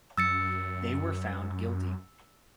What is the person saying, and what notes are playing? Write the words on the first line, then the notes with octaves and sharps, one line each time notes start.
They were found guilty.
F#2 E6 A6 C#7